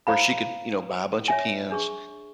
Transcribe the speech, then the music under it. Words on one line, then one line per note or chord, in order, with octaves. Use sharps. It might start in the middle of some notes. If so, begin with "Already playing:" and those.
where she could, you know, buy a bunch of pins.
C5 F5 A#5 B5
C#5 E5 G#5
D4 G#4 C#6